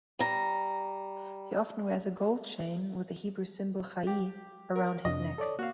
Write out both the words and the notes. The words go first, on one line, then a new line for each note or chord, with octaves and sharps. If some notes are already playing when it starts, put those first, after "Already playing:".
He often wears a gold chain with the Hebrew symbol 'chai' around his neck.
G3 A#5
G4
A#4
F2 C3 D4 D#5
A4 C#5 D5
A#3 F#4 F5